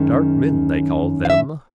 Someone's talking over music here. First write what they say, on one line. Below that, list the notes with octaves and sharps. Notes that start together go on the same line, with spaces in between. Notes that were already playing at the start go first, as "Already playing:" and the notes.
Dark men they call them.
Already playing: F#2 D#3 G#3 C#4
F5
E5